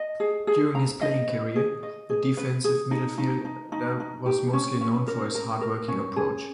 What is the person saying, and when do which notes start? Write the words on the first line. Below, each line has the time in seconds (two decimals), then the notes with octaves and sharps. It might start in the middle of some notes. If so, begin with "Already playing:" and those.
During his playing career, the defensive midfielder was mostly known for his hard-working approach.
Already playing: D#5
0.20 G#4
0.47 G#4
0.75 A#5
1.01 D#5
1.28 B4
1.56 G#4
1.83 D#5
2.10 G#4
2.37 B4
2.64 G#4
2.91 D#4
3.18 D#4
3.45 D#4
3.72 D#4
4.00 D#4
4.26 G4
4.53 C#4
4.81 C#4
5.07 A#4
5.35 A#4
5.61 A#4
5.88 C#4
6.16 G#4